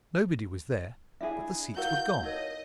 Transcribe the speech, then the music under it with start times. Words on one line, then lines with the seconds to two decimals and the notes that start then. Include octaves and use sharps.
Nobody was there, but the seats were gone!
1.21 D4 E4 G#4 E5
1.76 E4 F#4 A#4 F5 G6
2.23 D#4 A#4 C#5 D#5